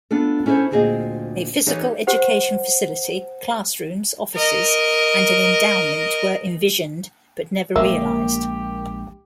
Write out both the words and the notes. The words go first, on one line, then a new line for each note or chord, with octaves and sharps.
A physical education facility, classrooms, offices and an endowment were envisioned, but never realized.
B3 D4 F4 A4
C#4 E4 A4 B4 C5
D2 A#2 C4 G#4 D#5 F5
E3 D#4 G4 A4 C#5 F5
G4 C5 F#5
A#4 D#5
A#1 G#3 A#3 G4 E5